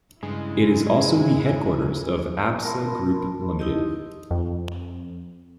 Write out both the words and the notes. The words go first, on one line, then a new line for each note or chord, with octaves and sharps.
It is also the headquarters of Absa Group Limited.
G2 C#3 G#3 E4 G#4 G#5
A#4 A5 B5 C6
D#4 E4 G4 D#5
F2